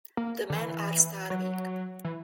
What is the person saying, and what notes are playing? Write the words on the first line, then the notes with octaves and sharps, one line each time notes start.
The men are starving.
A#3
D3
E3
F#3
E3